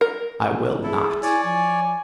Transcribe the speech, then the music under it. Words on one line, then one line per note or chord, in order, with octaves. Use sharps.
"I will not."
A#4
E4 G#4 A4
E4 C#5 D5 G#5
F3 G#5